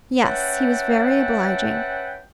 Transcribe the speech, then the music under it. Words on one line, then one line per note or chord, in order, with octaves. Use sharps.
'Yes; he was very obliging.
C#4 B4 E5 F#5 G5 A5